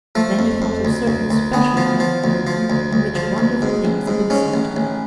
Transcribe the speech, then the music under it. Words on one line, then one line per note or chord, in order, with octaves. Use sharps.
Then he thought of certain special drawing-rooms in which wonderful things had been said to him.
F3 A3
F2
F2
D2
D2
D2
D2 B3
F3
F3
D2
F3
D2
D2
F3
D2
G#2
A1
G#2
G#2 C#4
A1
A1